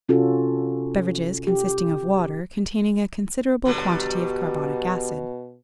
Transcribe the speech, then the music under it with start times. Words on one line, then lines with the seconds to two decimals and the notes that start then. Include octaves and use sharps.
Beverages, consisting of water, containing a considerable quantity of carbonic acid.
0.09 C3 C#4 F4 F#4 A4
1.47 G4
3.65 B2 D3 F#3 G3